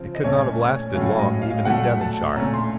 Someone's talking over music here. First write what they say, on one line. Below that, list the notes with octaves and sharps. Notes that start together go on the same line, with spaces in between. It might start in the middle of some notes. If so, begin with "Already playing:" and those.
It could not have lasted long even in Devonshire.
Already playing: C#3 F3 C4
D#5
A#2 A3 C#4 C#5
C#5
A2 F#3 A3 C#4 F5
D#5
F5
A#2 F#3 A3 F#5
A5
A#2 A3 C#4 A#5
C6